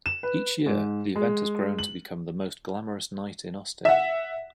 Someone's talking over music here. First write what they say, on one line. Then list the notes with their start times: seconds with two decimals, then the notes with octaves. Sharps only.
Each year, the event has grown to become the most glamorous night in Austin.
0.06 E7
0.23 B4
0.66 G#2
1.16 G#3
1.79 F#7
3.85 E5 F#5